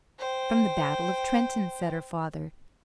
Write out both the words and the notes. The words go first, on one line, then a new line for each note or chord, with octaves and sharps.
"From the battle of Trenton," said her father.
C5 G5